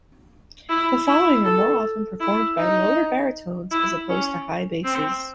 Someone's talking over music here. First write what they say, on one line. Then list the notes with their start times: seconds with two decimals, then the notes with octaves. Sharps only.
The following are more often performed by lower baritones as opposed to high basses.
0.69 E4
1.07 E4
1.45 A4
2.20 E4
2.58 D#4
3.71 E4
4.09 C#4
4.85 C4